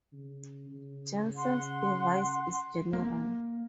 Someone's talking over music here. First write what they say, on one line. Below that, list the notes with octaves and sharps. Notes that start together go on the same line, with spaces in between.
Jensen's device is general.
C#3
C#3
F#5 C6
A#3